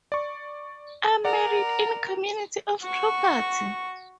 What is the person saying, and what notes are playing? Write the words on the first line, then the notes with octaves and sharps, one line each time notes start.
I'm married in community of property.
D5 C#6
A#4 D5 F#5
F#4 C#6